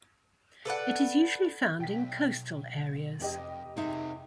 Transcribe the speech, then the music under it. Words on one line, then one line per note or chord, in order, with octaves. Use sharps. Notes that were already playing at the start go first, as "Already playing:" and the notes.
It is usually found in coastal areas.
A4 B4 D5 F#5
B1 G5 B6
F1 F2 G4 D#5
C3 G#3 C4 D#4 E5